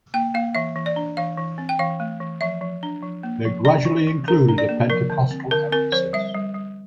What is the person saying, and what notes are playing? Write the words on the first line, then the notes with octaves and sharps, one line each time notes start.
They gradually included a pentecostal emphasis.
A#3 G5
A#3 F5
E3 E5
E3
D5
D4
E3 F5
E3
C4
G5
E3 F5
A3
E3
F3 E5
F3
D4
F3
A#3
F3
D4 D5
E3
E3
D4 A#4
D4
D5
A#3
F3 A#4
D3
C4
D3 A#4
C4 A#4
F3 C5
G3 E5
G3
G3